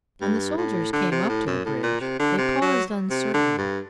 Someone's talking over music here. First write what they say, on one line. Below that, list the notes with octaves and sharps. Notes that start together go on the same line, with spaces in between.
When the soldiers came up to the bridge, they paused uncertainly.
G2
A2
D3
C3
A2
F#2
A2
A#2
C3
D3
C3
F#3
C3
D3
G2